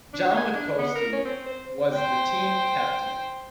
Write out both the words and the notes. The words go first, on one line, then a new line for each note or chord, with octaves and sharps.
John Witkowski was the team captain.
D4
G#5
D4
B3
A#4
C#4
C4
C5
C5 G5